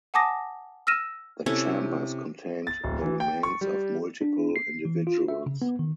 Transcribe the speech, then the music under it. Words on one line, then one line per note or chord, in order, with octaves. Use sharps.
The chambers contained the remains of multiple individuals.
F#5 G#5 A5 D6 D#6 A#6
E6 F6 A#6 D#7 E7
C3 C#4 E4 A4
A6
D1
E3
G5
C#6
G3
D4
C7
E3
F4
E5
C#3
B3
D#3